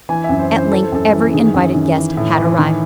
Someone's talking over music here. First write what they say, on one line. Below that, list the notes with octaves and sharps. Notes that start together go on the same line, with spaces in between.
At length every invited guest had arrived.
E3 G#5
F#2 E5
C5
E3
C5
E3 A4
C5
F#2 A4
E3
D#3 G#4
F#2
D#3
E3
A2
E3
D#3